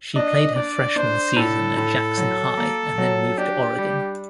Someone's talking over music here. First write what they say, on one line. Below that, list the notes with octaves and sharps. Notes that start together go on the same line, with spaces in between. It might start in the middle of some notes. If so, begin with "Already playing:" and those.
She played her freshman season at Jackson High and then moved to Oregon.
D4 D#5
D4 D5
D4 C5
A2 A4
A2
F#3
A#3
F#3
D4 G4
G3